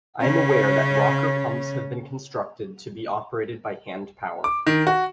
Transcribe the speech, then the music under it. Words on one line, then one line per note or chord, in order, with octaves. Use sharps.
I am aware that rocker pumps have been constructed to be operated by handpower.
C#3 C#4
D6
D#3
F#4